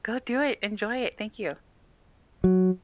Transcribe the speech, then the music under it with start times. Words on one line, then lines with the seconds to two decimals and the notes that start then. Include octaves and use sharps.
Go do it, enjoy it, thank you.
2.44 F#3